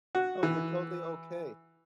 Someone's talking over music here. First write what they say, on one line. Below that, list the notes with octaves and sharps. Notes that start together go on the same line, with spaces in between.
Oh, you're totally okay.
F#4
E3